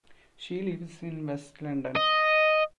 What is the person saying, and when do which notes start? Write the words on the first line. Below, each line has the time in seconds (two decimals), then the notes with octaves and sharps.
She lives in west London.
1.96 D#5